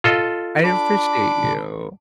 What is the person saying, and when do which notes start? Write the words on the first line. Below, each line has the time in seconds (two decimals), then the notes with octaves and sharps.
I appreciate you.
0.04 F4 A4 D#5
0.64 D4 B5 D6